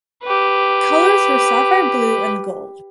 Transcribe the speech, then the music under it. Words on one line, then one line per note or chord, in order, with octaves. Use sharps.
Colors were Sapphire Blue and Gold.
G4 B4